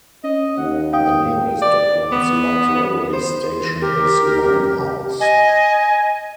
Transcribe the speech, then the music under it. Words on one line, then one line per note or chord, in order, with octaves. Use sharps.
The nearest Docklands Light Railway station is Limehouse.
C#4 D#5
D#2 F#5
F5 G5 D#6
D5
B3
C5
G4 A#4
D#5 G#5